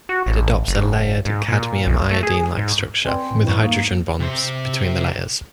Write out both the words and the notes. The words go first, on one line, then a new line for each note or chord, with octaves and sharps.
It adopts a layered CdI-like structure with hydrogen-bonds between the layers.
F#4
A1
F#1
G#2
A#2
B1
A3
G#4
G#2
C4 B4 D5 G#5
A2 E3
E4 B4 C#6
G2 A#3 D#4 D#6
C3 C5